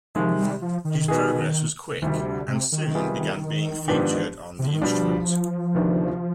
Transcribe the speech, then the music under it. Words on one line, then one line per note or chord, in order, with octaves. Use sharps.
His progress was quick, and soon began being featured on the instrument.
C3 D#3 F3 G#3
G3
F3
D#3
B2 B3 D#4 G#4
D2 C3 D#3 G3
D3
C3
D#3
C3 G3 B3 F4 G#4
G#2 F3 B3 D4 G4
C3
D3
D#3
B2 F3 G3 D4
D2 C3 D#3 B3 D4